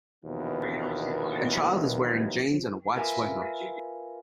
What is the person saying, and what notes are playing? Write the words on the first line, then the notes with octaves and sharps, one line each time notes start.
A child is wearing jeans and a white sweater.
A#1 D#2 B2 E3 B3 A#4
F4 A#4 B4 E5 G#5